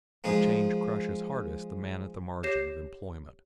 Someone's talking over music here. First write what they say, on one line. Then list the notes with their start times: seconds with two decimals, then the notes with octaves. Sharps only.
The change crushes hardest the man at the margin of employment.
0.24 F3 G#3 D#4 G#4
2.43 G4 C#5 G6 A#6 C7 E7